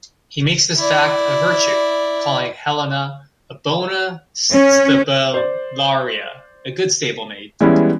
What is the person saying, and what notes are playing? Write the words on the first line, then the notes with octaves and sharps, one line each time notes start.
He makes this fact a virtue, calling Helena a "bona stabularia", a "good stable-maid".
E4 D5
C#4
C5 D5
E3 G3 G#3 B3 C#4 E4